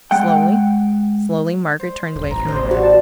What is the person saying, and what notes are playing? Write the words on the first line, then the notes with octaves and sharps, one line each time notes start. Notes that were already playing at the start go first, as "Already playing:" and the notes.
Slowly, slowly Margaret turned away from the bed.
G#3 F#5 G5
C5
D#1
A1 A#5
C5 D#5
G3 D4 E4 F#4
A5